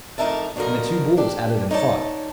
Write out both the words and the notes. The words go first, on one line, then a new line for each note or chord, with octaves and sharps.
And the two bulls at it and fought.
F2 A2 D#4 A#4 E5 A5
B2 D3 F3 D#4 A#4
D4 G4
D#4 C#5 D5 A5